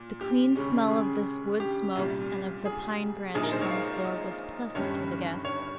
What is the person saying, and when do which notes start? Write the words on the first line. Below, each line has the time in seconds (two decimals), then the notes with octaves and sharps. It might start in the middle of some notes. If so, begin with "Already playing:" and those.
The clean smell of this wood-smoke and of the pine branches on the floor was pleasant to the guests.
Already playing: A#2
0.21 G4
0.56 D#2 C#3 G#3 C#4
0.91 G#4
1.60 G4
1.95 C2 A#2 G3
2.65 G#4
3.34 A#1 A#2 G#3 D#4 G#4
3.43 A#4
3.52 C5
3.61 C#5
3.71 F5
4.04 D#5
4.75 G1 G2 D#3 G3 C#4 C#5
5.45 C#5